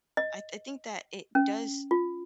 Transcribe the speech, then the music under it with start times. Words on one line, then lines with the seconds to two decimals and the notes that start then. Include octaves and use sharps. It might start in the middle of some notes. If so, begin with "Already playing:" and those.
I I think that it does
0.17 D#5
1.35 C#4
1.91 F4